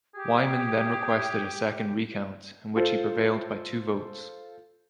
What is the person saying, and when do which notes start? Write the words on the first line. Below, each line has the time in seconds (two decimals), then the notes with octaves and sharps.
Wyman then requested a second recount, in which he prevailed by two votes.
0.14 G4 G#4
2.76 F4 A4 C5